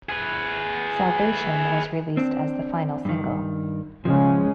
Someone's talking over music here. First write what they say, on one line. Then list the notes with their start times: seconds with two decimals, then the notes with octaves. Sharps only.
"Salvation" was released as the final single.
0.09 G#4 B4
2.17 C4 D4
3.05 G2 D#3
4.05 C#3 F3 G#3 C#4